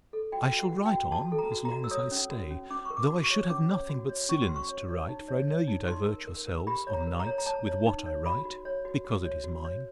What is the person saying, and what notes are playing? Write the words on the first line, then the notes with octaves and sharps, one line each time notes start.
I shall write on, as long as I stay, though I should have nothing but silliness to write; for I know you divert yourselves on nights with what I write, because it is mine.
A4
F#4 G5
F#4
F#5
F#4
G5
F#4
F#4 A5
A4
A#5
F#4
A#5
F#4
E6
C#5 D#6
C#4
F#4
C#4
C#4 D6
C#6
A#4
D6
F#4
C#6
C#5
C#4 D6
C#5
F#4
C#5
C#4 C#6
C6
F#4
C#6
C#5
C#5
D#4
C#5
C#5
D#4
D#4 C6
A#4
A#4
A#4
G4 B5
C#5
A#5
A#4
A#5
C#5
A#5
C#5 A5
C#5
D#4
C#5
F#4 B5
F#4
C#5
F#4
F#4
C#5
F#4
C#5